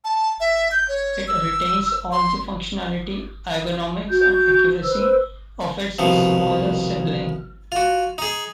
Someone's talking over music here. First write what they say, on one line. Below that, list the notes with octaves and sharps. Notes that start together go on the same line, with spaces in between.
It retains all the functionality, ergonomics and accuracy of its smaller sibling.
A5
E5
G6
C#5
E6
C6
F#4 G6
B4 C5 E6
C2 B2 D#3 F3
F4 F#4
D#4 G#4